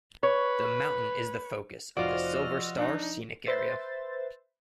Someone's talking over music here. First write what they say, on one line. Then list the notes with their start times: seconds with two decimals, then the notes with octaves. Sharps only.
The mountain is the focus of the Silver Star Scenic Area.
0.23 B4 C#5
1.97 F1 F4 F#4 C5 D5 D#5 F6
2.37 E6
2.78 D4 D#4
3.46 B4 C5 E5 A6